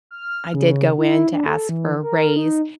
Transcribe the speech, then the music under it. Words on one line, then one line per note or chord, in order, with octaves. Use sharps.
I did go in to ask for a raise,
F6
C#3
E4
D4
A4
E3
A#4
D#4